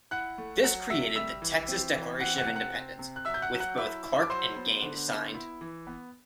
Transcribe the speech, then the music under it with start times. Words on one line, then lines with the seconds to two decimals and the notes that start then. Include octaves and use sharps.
This created the Texas Declaration of Independence, with both Clark and Gained signed.
0.11 E4 F#5 F#6
0.38 A3
0.64 F#3 F#5 F#6
0.90 C3 E5 E6
1.16 G3 E5 E6
1.42 E3
1.68 C4
1.95 E3
2.20 C4 F#5 F#6
2.38 F#5 F#6
2.47 C3
2.56 F#5 F#6
2.73 C4
2.99 C3
3.16 F#6
3.25 F#3 E5 E6
3.34 G6
3.42 F#5 F#6
3.52 F#3
3.60 F#5 F#6
3.77 E4 E5 E6
4.04 E4
4.22 D6
4.30 F#3 C5 C6
4.56 B3
4.82 D3
5.08 B3
5.35 E4
5.61 E3
5.87 B3